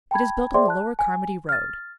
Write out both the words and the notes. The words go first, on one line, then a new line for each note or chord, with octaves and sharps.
It is built on the lower Carmody road.
G5 A5 B5 G#6
G#4 C5 D5 E5 G5 C6
A5 F#6
G#5
F6 A6